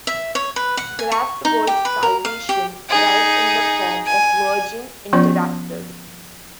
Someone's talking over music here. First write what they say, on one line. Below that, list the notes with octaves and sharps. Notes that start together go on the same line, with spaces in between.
Graftgold's salvation arrived in the form of Virgin Interactive.
E5
C#5
B4
F#5
G#5
C#6
D#4
G4
B4
A#4
F5
G4
D#4 G#4
G#5
F3 B3 C#4 F4 D5 C6